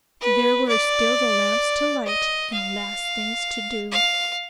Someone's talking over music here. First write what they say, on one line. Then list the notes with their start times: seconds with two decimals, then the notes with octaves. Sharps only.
There were still the lamps to light and last things to do.
0.21 B4
0.68 D5
2.06 D#5
2.53 F5
3.92 F5